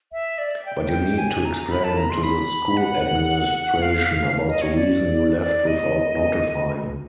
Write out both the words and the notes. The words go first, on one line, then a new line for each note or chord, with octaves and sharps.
But you need to explain to the school administration about the reason you left without notifying.
E5
D5
G5
G5
G#5
A#5
B5
A5
A#5
C6
B5
F#5
F5
D#5
C#5
D5
D5
D#5